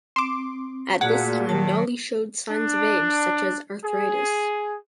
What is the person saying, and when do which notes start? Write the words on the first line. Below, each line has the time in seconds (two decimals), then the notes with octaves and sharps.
At this time Dolly showed signs of age such as arthritis.
0.16 C4 C6 D6
1.01 A#2 A3 F#4 G#4 F#5
1.49 D#3 F#3 A5
2.50 D4
3.84 G#4